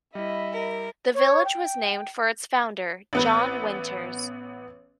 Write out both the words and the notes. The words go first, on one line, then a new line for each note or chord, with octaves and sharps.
The village was named for its founder, John Winters.
G3 E4 D#5 E5 B5
A#4
C#5
G5
A1 B3 B4